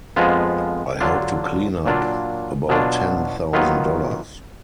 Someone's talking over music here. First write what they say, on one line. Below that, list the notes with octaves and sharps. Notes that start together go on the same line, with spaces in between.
I hope to clean up about ten thousand dollars.
F2 F3 G#3 B3 F4
D3 F#3 D4 F4
A#2 F#3 D4 F4
B2 F#3 D4 F4
D#3 F#3 B3 F4